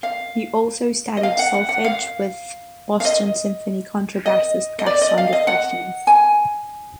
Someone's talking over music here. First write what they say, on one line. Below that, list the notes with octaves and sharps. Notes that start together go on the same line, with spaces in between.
He also studied solfege with Boston Symphony contrabassist Gaston Dufresne.
F5
D#5
F5
F#5
F#5
F#5
F5
F5
D#5
D#5
D#5
D5
D#5
F5
D#5
F#5
G#5